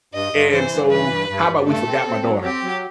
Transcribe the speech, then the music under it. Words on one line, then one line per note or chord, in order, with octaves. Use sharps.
and so, how 'bout we forgot my daughter?
G2 D#5
G2
E3 C5
G2
E3 B4
G2
G2
G2
A3 A4
C4
C4
F#3
C4 G4
F#3